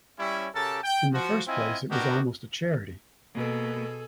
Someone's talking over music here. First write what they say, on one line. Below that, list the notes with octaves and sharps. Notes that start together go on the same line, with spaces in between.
In the first place it was almost a charity.
G3 C#4 E4
C#3 G4 A4 A#4 A5
G5
F3 F#4
C4 E4 F4 D#5 G#5
B3 D4 D#4 F#4 G4 A#4
B2 A#3 G#4 A4